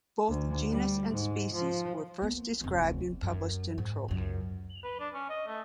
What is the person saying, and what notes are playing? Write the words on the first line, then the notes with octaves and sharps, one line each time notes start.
Both genus and species were first described and published in Trop.
D2
G3
G#2
F3
A#3 B3
F1 D2
F#2
G#2
C#2 F#2
B4
D4
C#4
D#5
A3